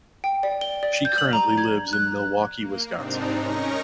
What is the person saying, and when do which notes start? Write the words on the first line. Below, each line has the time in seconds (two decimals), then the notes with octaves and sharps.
She currently lives in Milwaukee, Wisconsin.
0.24 G5
0.43 D5
0.61 G7
0.83 D5
1.05 G6
1.18 F#7
1.33 A#5
1.58 G#6
1.93 F#6
2.59 A#3
2.93 G#2 C3 C4 D4 D#4
3.34 C#4 D#4 A#4 C#6 A#6